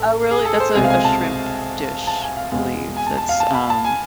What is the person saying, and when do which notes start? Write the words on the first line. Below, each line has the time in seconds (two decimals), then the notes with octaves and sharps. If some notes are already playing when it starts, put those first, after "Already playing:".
Oh, really, that's a a shrimp dish, I believe, that's, um,
Already playing: A1 A2 A4
0.31 G#4
0.45 A4
0.60 C5
0.75 C2 B2 G#3 C4 G#5
0.84 F5
0.90 G#5
1.05 A5
2.07 A5
2.22 G#5
2.37 F5
2.51 E2 B2 G#3 B3 F5
2.97 G#5
3.07 A5
3.18 A5
3.29 F5
3.40 A5
3.55 B5
3.70 A5
3.85 G#5